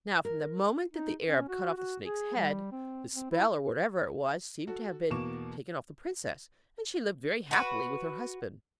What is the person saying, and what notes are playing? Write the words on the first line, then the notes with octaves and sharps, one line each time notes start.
Now, from the moment that the Arab cut off the snake's head, the spell, or whatever it was, seemed to have been taken off the princess, and she lived very happily with her husband.
A#4
D#4
C#4
F#4
F#4
G#4
G3
C4
C4
E4
F#4 A4
E2 B2 A#3 C#6 D6 E7
F#4 B4